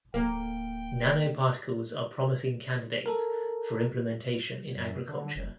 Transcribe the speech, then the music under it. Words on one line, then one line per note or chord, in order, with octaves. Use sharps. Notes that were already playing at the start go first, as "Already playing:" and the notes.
Nanoparticles are promising candidates for implementation in agriculture.
D1 A#3 G5
A4 A#4
F#2
D3
F#1